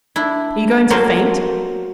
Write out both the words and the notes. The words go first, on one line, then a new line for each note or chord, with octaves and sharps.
Are you going to faint?
D4 E4
F#3 A#3 A4 C5 C6